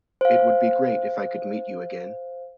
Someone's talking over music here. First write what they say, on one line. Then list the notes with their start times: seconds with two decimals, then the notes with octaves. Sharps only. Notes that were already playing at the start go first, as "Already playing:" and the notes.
It would be great if I could meet you again.
0.21 C5 F5